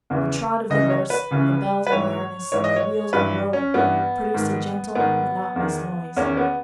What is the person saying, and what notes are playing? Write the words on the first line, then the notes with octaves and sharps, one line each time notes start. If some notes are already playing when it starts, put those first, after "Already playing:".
The trot of the horse, the bells on the harness, the wheels on the road, produced a gentle, monotonous noise.
E2 C#3 E3
C#2 C#3 E3 D#5
C#5
B4
C#2 C#3 E3
B4
G#2 E3 C#5
G#2 E3 C#5
D#5
C#5
G2 E3 B4
C#4
G2 E3 B3
G#2 D#3
G#2 D#3 B3
E2 D#3
E2 D#3 C#4
B3